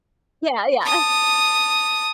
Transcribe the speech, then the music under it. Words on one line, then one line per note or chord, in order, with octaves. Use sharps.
Yeah, yeah.
A5 D#6